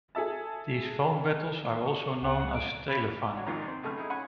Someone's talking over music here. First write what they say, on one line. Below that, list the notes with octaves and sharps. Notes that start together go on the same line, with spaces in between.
These phone battles are also known as Telefang.
G#4 A4 E5 A5
C#6
C#2 F#5
D7
C#3 B5
D4 F#4 C#5
C2 G#2 C3 D#3 F3 A#5
C4
B1 C#3 A3 A5 F6
D#4 E4 G#4
C#4 F#5 G#5 B5